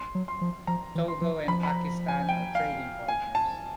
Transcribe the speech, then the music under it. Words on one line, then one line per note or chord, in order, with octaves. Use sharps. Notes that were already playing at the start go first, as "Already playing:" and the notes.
Togo and Pakistan are trading partners.
Already playing: C6
F#3
C6
F3
F3 A#5
E3
C6
F3
F3 B5
B5
A#5
G#5
G5
F5
G#5
A5